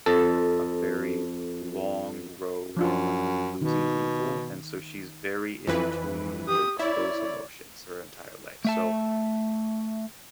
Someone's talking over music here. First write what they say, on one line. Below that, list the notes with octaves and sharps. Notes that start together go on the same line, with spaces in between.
a a very long road of losing people, and so she's very in tune with those emotions her entire life, so
F2 A4
F#2 F3 D4 F4
B2 D#3
F2 E3 B4
G4 D#6
E4 C#5 D5
A3 E5 A5